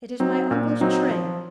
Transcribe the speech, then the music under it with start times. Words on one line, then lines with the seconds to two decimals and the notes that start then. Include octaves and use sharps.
"It is my uncle's trade."
0.20 F#3 C4 D#4
0.51 A#2
0.81 F#3 C4 D#4
1.11 F3